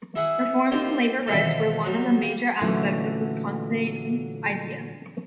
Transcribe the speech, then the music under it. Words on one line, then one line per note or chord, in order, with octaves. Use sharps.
Reforms in labor rights were one of the major aspects of the Wisconsin Idea.
E4 G#4 E5 F#5 B5
A#3 C4 D#4 F4 G4 C5
B2 D#3 E3 C4 F4 A4
F#3 G3
A#3 G4
A#2 D3 E3 F#3 A3 C#4